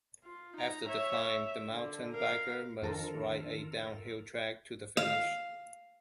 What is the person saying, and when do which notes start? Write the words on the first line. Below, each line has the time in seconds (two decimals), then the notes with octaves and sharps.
After the climb, the mountain biker must ride a downhill track to the finish.
0.24 F4
0.57 D#4 A#5
0.89 C#5 E5
1.29 E5
1.71 D3
2.11 A#4 F5
2.82 F2 D#3 D4 F4 A4 A#4
4.97 F5